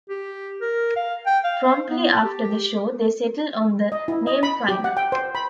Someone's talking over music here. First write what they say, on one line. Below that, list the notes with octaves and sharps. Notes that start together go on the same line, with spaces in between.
Promptly after the show they settled on the name Final.
G4
A#4
F5
G5
F5
C5
B3
A5
G4
G4
D#5
E4
D#5
B5
G4
F#5
G5
C5
B5